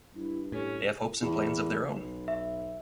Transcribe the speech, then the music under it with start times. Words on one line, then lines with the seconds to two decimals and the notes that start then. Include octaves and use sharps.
They have hopes and plans of their own.
0.15 G2 E4
0.52 A2 C#4 G4
1.22 E2
1.93 B1
2.28 E5